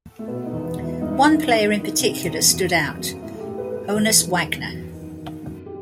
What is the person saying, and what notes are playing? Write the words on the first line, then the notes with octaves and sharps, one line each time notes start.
One player in particular stood out--Honus Wagner.
A3
B2 B3
D#4
E2
B3
E2
E4
G2 D#4
E4
D#3 D#4
D#3
D#3
C3
E2
F#2
E3
F#2
A2 E4
A4
G4
A2
B4
A2 B4
A4
E2 B4
D#3
E2
F#2
D#3
D#3
F#2
G4